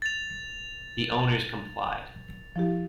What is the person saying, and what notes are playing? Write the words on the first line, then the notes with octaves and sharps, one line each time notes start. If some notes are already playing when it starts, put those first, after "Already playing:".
The owners complied.
A6 F7
F3 E4 G4